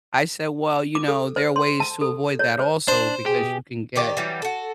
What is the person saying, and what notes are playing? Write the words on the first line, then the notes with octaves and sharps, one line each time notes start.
I said, "Well, you know, there are ways to avoid that also because you can get
D6
A4
C5
C6
A5
A4
C#5
C5
D4 C5
B2 G4 G#4
D#3 G4 D5
E3 F#3 G3
F#4 A4